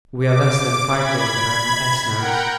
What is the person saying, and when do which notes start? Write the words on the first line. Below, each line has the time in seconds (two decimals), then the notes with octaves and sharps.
We are less than five days behind S. now.
0.20 D6
0.88 B5 G#6
2.13 A#4 F#5 G5